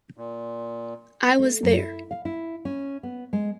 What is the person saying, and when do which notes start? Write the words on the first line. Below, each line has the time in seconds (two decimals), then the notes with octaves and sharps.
I was there.
0.17 A#2
1.39 A3
1.63 F#2
1.78 E4
2.11 F5
2.25 E4
2.65 C#4
3.03 B3
3.33 G#3